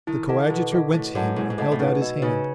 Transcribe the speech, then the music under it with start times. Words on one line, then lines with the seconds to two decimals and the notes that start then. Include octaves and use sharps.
The coadjutor went to him and held out his hand.
0.07 D#3 E4
0.29 A4 D#5 F#5 A5
0.50 B2 E4
0.72 A4 D#5 F#5 A5
0.93 A2 E4
1.15 F#2 A4 D#5 F#5 A5
1.36 G#2 E4
1.50 G#2
1.58 A2 A4 D#5 F#5 A5
1.72 A2
1.79 B2 D#4
2.01 F#4 B4 D#5
2.22 C#3 D#4